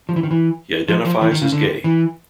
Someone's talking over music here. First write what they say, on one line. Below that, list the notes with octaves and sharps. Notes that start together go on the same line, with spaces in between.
He identifies as gay.
F3
E3
D#3
E3
F3
F3
E3
D#3
C#3
D3
E3